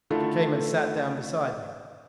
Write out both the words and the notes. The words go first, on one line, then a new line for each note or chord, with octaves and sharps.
She came and sat down beside me.
D3 D#3 A3 E4 F4